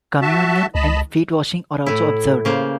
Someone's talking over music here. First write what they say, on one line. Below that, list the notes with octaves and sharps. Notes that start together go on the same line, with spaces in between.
Communion and feet washing are also observed.
F#4 E5 A5
C#2 D#5 A5 B5
A2 E4
C#3 A#3 C5